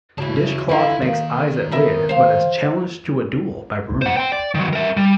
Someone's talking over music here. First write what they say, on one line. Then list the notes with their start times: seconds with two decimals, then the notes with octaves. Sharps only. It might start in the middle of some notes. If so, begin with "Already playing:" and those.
Dishcloth makes eyes at Lid but is challenged to a duel by Broom.
0.18 C#3 E3 F#4 A5
0.69 D3 E4 F4
1.02 D#3 A#3
1.72 B3 A#4 E5
2.09 C5 F5
4.02 C5 F#5
4.17 C5 G5
4.32 D5
4.55 D#3 F#3
4.73 A#4 E5
4.97 G3